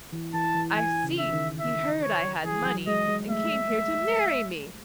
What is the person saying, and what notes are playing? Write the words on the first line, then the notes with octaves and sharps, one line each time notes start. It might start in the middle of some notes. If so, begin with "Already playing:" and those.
"I see: he heard I had money, and came here to marry me!"
E3
E3 A5
E3
E3 G#5
C#3
E5
D#3
E5
C#5
E3 G#4
F#3
G#3 D#5
G#3
A3 E5